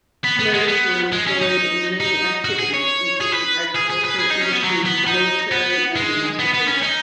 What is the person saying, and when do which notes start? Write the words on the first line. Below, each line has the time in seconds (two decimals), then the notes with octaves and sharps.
Slaves were employed in many activities, including agriculture, industry, the military, and domestic labor.
0.24 B3
0.39 B3
0.54 G#3
0.68 B3
1.12 G#3
1.27 C#4
1.41 D#4
2.00 D#4
2.45 F#4
2.59 G#4
2.74 C#5
3.20 G#4
3.32 B4
3.76 G#4
3.90 G#4
4.05 B4
4.20 G#4
4.31 D#4
4.42 C#4
4.53 B3
4.64 F#3
4.86 B3
5.07 D#4
5.51 B3
5.96 G#3
6.39 B3
6.54 B3
6.68 C#4
6.83 D#4